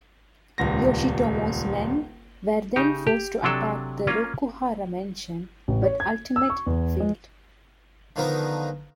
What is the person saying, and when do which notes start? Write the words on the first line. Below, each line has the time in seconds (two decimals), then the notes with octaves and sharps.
Yoshitomo's men were then forced to attack the Rokuhara mansion, but ultimate failed.
0.58 D#1 C#2 A#6
2.76 C#3 D#4 G4
3.07 G4
3.44 C3 F#3 D4 A4
4.07 A#3 C#4 F4
5.68 A1
5.82 C#5
6.00 G#6
6.36 E6
6.50 C#6
6.66 E2
7.00 G#3
8.16 D3 D#3 F3 B3 D#4 A#4